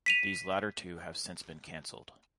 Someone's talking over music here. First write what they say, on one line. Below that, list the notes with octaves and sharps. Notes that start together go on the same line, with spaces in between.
These latter two have since been canceled.
B6 D#7 F7